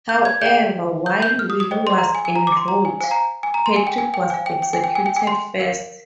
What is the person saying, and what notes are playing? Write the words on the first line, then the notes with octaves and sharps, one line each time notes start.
However, while Willie was en route, Patrick was executed first.
G6
G#6
G#4 D5 G5 G6
G6
G6
F6
D#6
D#6
G#4 C5 D#5 G5
C6
A#5
C6
G#5
G#5
A#5
D6
C6
A#5
G#5
C5 F5 G#5
A#5
G#5
A#5
C6
G#5
G5
G#5
G5
C5 F5 G#5
G5
G5
G#5
G5
G#5
G5
G#5
C6
A#4 F5